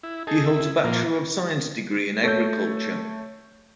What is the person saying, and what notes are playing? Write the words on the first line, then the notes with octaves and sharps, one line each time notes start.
He holds a Bachelor of Science degree in Agriculture.
E4
D#4 G#4 A4
E4
A#2 F3 A#3
A3 C#5 G6